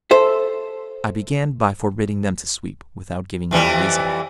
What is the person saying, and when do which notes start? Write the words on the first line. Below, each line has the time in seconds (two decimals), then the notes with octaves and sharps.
I began by forbidding them to sweep, without giving any reason.
0.11 A4 C5 E5
3.51 F2 E3 G3